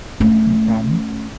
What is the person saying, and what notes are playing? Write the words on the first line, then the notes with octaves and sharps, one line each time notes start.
No problem.
A3 C#4